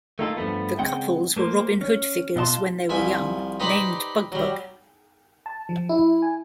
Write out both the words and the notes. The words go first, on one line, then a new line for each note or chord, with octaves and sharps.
The couples were Robin Hood figures when they were young, named BugBug.
A3 A#3 D#4 F4 G4 A4
G2 F3 A3 B3
C#3 G#3 C4 F#5 G5
A3 A#3 A#4 C5
C#4
B2 F4 D#5 A5 C6
C2 F3 E5 G#5
D#4 G4 B4 C5 D5 B5
F#3 G3
A5
F3
E4
G#5